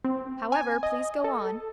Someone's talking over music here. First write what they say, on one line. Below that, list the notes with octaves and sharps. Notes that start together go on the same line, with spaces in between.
"However, please go on."
C4
G#5
D#5
A4